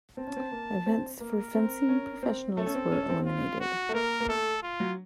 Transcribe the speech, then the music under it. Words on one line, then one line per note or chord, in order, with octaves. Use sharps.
Events for fencing professionals were eliminated.
C4 A5
C#4
C4
A#3
C4
A#3 A#4
C4
C#4
C4
A3 A4
C#4
C4
C#4
C4
F4
F#4
A3
A#3 A#4
A#3
A3 A4
F4
F#3